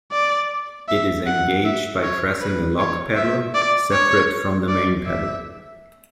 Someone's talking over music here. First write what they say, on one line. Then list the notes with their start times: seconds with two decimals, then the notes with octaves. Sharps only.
It is engaged by pressing a lock pedal separate from the main pedal.
0.12 D5
0.89 E5
1.27 F#5
1.65 E5
2.03 C#5
2.41 B4
2.79 C#5
3.16 E5
3.54 D5
3.93 C#5
4.68 D5
5.06 E5